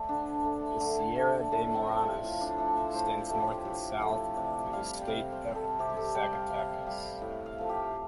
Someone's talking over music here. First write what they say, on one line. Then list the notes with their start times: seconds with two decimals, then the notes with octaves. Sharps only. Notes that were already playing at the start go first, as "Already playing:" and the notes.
The Sierra de Morones extends north and south through the state of Zacatecas.
Already playing: A3 C5 D5
0.09 D3 D4
0.45 A3
0.80 D3 A3
1.16 A3
1.52 A2 A3
1.75 C4
1.87 F3 A3
2.23 A2 F4
2.41 D4
2.58 F3 A3 A4
2.77 C5
2.94 A2 C5
3.29 F3 A3 G4
3.65 A2
4.01 F3 A3
4.37 C3 D5
4.73 G3 F5
5.01 G5
5.08 C3 F5
5.32 C5
5.44 G3
5.55 A4
5.79 C3 G4
5.90 G4
5.97 A4
6.15 G3 G5
6.33 F5
6.50 C3 F5
6.87 G3 F5
7.22 A2
7.46 F5
7.58 F3 A3
7.69 G4